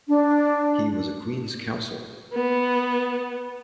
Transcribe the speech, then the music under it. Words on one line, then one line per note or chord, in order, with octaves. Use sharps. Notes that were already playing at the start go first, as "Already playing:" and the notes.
He was a Queen's Counsel.
D4
B3